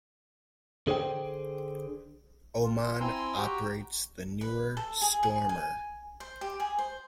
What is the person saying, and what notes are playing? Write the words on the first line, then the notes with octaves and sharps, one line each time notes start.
Oman operates the newer Stormer.
D3 G#4 C5 D5 G5
F4
C4 E4 G#5 A#5 C6 E6
F#4 G4 G5 A#5
B4
A4
G#4
G#4
G#5
C5
G4
G#4
C5